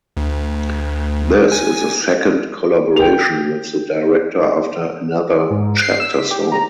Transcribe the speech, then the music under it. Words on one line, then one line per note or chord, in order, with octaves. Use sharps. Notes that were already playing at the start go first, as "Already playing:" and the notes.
This is the second collaboration with the director after "Another Chapter song".
D2
G#5
G5 F7
G#2
C7
E6
B6
G4
A#5